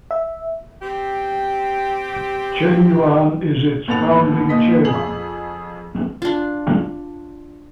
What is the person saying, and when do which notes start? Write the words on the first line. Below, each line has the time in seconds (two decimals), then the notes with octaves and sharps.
Chen Yuan is its founding chairman.
0.11 E5
0.82 C4 G4
3.88 D#2 A2 B3 F#5 A6 F7
4.49 D#2 A#2 D#5 B6
4.84 F2 G#4 F#7
6.22 D4 F4